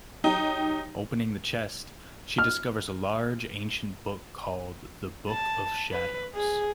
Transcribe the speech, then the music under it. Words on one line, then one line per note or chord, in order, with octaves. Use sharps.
Opening the chest, she discovers a large, ancient book called the "Book of Shadows".
F#3 D#4 G4
F6
A5
B4
G#4